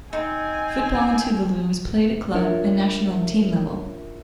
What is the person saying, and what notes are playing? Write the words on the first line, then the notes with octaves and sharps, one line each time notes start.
Football in Tuvalu is played at club and national team level.
C4 D#4 G#5
D4 F4 A#4 C#5 E5